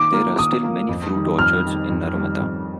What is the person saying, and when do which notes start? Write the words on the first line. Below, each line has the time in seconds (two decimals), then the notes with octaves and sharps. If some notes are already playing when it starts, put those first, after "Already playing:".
There are still many fruit orchards in Naramata.
Already playing: D#3 A#3 D6
0.12 A#3 F4 A#4
0.38 D#3 D#6
0.63 A#3 F4 A#4
0.89 F2
1.14 D#3 G3
1.39 F2 F6
1.65 D#3 G3
1.90 F2
2.15 D#3 G3
2.40 F2